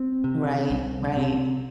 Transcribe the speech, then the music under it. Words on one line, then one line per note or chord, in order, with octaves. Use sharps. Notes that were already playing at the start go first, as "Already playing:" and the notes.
Right. Right.
Already playing: C4
C3
C2
C3